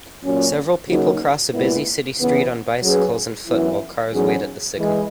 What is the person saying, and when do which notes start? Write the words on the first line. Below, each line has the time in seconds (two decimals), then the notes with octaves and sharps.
Several people cross a busy city street on bicycles and foot while cars wait at the signal.
0.23 A#2 F#3 C#4
0.88 C#3 F#3 A#3 D#4 F#4
1.53 A#2 G#3 B3 E4
2.18 C#3 E3 B3
2.82 F#3 C#4 G#4 B4
3.47 F#2 E3 B3 E4
4.12 E2 D#3 F#3 C#4 G#4
4.76 E3 G#3